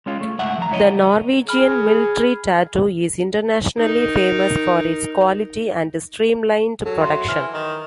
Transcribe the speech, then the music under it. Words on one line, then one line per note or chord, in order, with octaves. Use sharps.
The Norwegian Military Tattoo is internationally famous for its quality and streamlined production.
G#3 C#4 F4
A3
C#2 G#2 A3 E5 F#5
F3 A#5
C#2 G#2 E4 C#5 D#5
G#4 B5 F6
D#4 A#4
F#3 A4
E5 C6
E3 F6
D#3